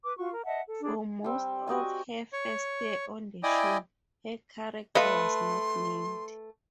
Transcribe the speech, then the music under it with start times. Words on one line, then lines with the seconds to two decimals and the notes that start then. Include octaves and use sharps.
For most of her first year on the show, her character was not named.
0.04 B4 D6
0.17 F4 F#4 C#6
0.31 A#4
0.45 D#5 E5 F#5 A5
0.66 A4
0.83 D4 G#4
1.24 G3 C4
1.68 F#4 G4 D#5 G#5
2.33 C#5
3.43 E4 D5 D#5 G5 G#5
4.95 A3 B4 D#5 F5 C6